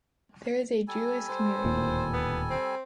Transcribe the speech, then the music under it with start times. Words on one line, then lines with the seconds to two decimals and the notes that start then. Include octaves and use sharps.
There is a Jewish community.
0.88 G3 A4 G#5
1.29 C5
1.64 D1 D#2 A#2
2.13 B3
2.50 C4